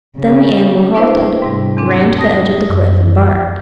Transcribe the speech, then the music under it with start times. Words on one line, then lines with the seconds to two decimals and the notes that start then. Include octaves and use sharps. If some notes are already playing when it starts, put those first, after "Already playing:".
Then the animal halted, ran to the edge of the cliff and barked.
0.21 C#3
0.95 B3 D4 E4 B4 C5 D#5
1.17 G5
1.42 G#2 C3 G3
1.77 E2 C4 D4
2.18 A5 D#6 A#6
2.70 F#2